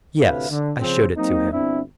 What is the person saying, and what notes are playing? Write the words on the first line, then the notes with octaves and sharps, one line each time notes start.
"Yes; I showed it to him."
D2 A2 C3 B4 E5 F5
D3
C#3 F3 C4
F#3 A#3 C4 D#4
G1 C4 D4 E4